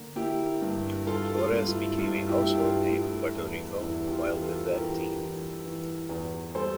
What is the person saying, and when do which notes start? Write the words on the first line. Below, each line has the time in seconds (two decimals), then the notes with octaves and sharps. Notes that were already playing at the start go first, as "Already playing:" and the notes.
Torres became a household name in Puerto Rico while with that team.
Already playing: D3 A#3
0.16 A#3 E4 G4
0.62 G2
1.07 G2 F4 A4
1.37 F4
1.53 G2
1.68 E4
1.98 G2 F4
2.29 E4 G4
2.44 G2
2.55 G4
2.60 F4
2.90 A3 E4
3.36 E2
3.81 E2 E4
4.07 G4
4.12 F4
4.27 E3
4.42 F4 A4
4.73 E3 G4 A#4
5.18 E3
5.64 E3
6.09 E2
6.55 G3 A4 C5